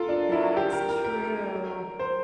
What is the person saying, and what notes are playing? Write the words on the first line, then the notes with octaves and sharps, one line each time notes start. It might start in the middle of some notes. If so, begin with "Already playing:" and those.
That's true.
Already playing: F4 A4 A#4
D4
E4
G4
A#4
A#4
A#4
C5